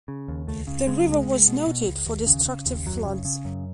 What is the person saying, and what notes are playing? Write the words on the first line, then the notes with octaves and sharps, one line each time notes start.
The river was noted for destructive floods.
C#3
D#2
C#2 A3
C#3
C#3 G#3
F#3
C#2 G#3
C#2
B2
B2
C#2
D#2
C#3
C#3
D#2
F#2 F#3
C#3
C#3
F#2